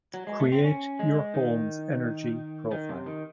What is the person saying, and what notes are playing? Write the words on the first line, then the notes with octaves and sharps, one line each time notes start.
Create your home's energy profile.
F#3
G#3
A3
C4
C#4
G#3
D#3
D#3
C3
D#3